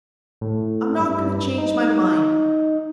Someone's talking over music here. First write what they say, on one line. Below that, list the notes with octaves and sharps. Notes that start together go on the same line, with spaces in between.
I'm not going to change my mind.
A2
G2
D#4